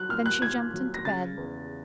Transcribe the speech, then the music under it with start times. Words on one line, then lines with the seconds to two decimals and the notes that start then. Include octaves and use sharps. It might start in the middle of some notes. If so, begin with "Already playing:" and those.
Then she jumped into bed.
Already playing: F#3 F#6
0.09 A#2 F6
0.26 F#6
0.41 A#2 G#6
0.74 F#3
0.94 A#6
1.05 C#3 A6
1.37 E2